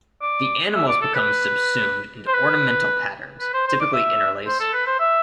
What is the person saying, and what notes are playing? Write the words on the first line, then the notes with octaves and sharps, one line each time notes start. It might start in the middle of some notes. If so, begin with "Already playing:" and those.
The animals become subsumed into ornamental patterns, typically interlace.
D5
E5
D5
A4
B4
C5
B4
B4
C5
C5
D5
E5
C5
A4
B4
C5
E5